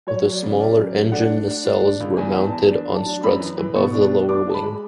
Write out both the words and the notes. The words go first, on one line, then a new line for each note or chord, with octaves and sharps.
The smaller engine nacelles were mounted on struts above the lower wing.
F#3 C#5
F#3
D5
C#3
C#4 D5
F#3
A3
D4 F#5
D4
D4
D4
D4
C#2
E2 G#5
E2
A5
E2
D4
F#3
A5
D4
F#2 B5
E3
E3
B2 C#6
D4
D4
D4 D6
G#3 A5
B5
G#3